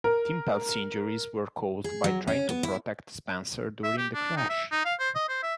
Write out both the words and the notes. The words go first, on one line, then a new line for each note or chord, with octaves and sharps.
Tim Pelt's injuries were caused by trying to protect Spencer during the crash.
A#4
G#4
F#3
C#4
B3
E4
E5
G4
D4
D#4
E5
D#4
F5
C5
D#5
C5
E5